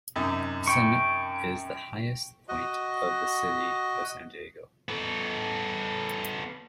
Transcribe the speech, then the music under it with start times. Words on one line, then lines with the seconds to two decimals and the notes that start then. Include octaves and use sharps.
The summit is the highest point of the city of San Diego.
0.16 F#2 C3 D#4
0.68 G5 C#6
2.49 F#4 D#5
4.88 B3 A4